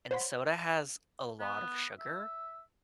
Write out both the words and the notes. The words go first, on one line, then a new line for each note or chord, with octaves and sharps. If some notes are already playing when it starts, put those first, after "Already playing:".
and soda has a lot of sugar.
C5 C#5 F#5 B5 C6 B6
B3
E5